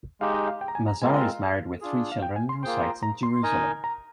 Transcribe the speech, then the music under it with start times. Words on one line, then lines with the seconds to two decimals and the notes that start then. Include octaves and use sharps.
Mazar is married with three children and resides in Jerusalem.
0.21 G#3 D#4 G4 F5
0.34 D#5
0.47 F5
0.61 G5
0.68 A#5
0.75 G#5
0.88 A#5
1.02 G#3 C4 F4 A#4 G#5
1.14 D#5
1.22 F5
1.81 D4 F4 G#4
2.12 F5
2.22 G5
2.36 G#5
2.49 C6
2.63 A#3 F4 G#4 C5 G5 C6
2.83 A#5
3.03 A#5
3.23 C6
3.43 D#4 A#4 D#5 G#5
3.84 A#5